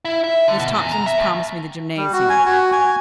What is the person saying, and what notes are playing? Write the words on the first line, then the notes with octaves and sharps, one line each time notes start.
Miss Thompson has promised me the gymnasium.
E4
E5
D3
B2
E2
A#5
E5
D#2
G3
F#4
G#5
F#4
G#5